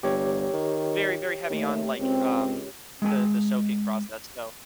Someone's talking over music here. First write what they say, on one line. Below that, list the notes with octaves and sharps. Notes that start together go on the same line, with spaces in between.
Very, very heavy on, like, um, the the soaking process, so
G1 G4 C#5
D#3
D#2 A3
C#2 C4
G#3 C4 G#5